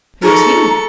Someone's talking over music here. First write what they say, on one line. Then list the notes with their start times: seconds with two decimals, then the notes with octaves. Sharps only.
"Who is he?"
0.23 D#4 G#4 A4 A#5 C#6